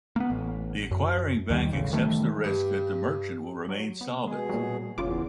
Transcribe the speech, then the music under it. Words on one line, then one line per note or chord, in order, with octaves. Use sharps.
The acquiring bank accepts the risk that the merchant will remain solvent.
A#3 B3
A1
F#2
D#2 D#3 E3 G3
A1 C#3
D#3 E3 G3 A3
G2
F#3
B3
B2 G#3 G#4
A#2 F#3 G3
F#1 E2 C#3 F4 D6